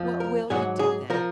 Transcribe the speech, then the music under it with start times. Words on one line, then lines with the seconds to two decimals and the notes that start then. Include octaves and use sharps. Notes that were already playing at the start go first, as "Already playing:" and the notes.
'What will you do then?
Already playing: F2 F3
0.20 A#4
0.50 G#2 F#3 G#4
0.79 G#4
1.10 F3 A#4